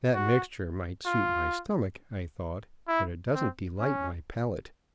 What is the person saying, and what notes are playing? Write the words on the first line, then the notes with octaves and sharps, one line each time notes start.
That mixture might suit my stomach, I thought, but it doesn't delight my palate.
F#4
F4
E4
C4
C#4